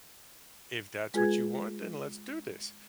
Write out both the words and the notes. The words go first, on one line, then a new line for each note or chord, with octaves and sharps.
if that's what you want, then let's do this,"
G#3 F4 G#4 B4 G#5 G#6